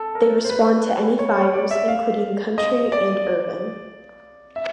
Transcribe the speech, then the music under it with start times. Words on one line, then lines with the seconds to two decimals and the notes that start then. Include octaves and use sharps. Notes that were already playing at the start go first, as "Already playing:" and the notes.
They respond to any fires including country and urban.
Already playing: A4
0.15 A#4
0.45 C5
0.49 B4
1.19 C#5
1.36 C#5
1.53 D5
1.71 E5
1.88 F5
2.58 D#5
2.92 D5
4.56 E5